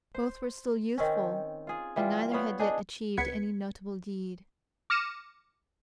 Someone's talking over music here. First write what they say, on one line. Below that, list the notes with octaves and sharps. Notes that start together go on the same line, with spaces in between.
Both were still youthful and neither had yet achieved any notable deed.
C5
D#3 C4 C#4
F4 G#4
E3 G3 F4
B3 C#5 F5
D4 D#4 G#4
C#2 B3 B4 G#6 B6 C#7
D6 F6 A#6 C#7 D#7 E7